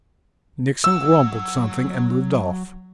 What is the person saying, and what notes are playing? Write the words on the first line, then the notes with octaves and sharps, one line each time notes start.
Nixon grumbled something and moved off.
F#3 F#5 E6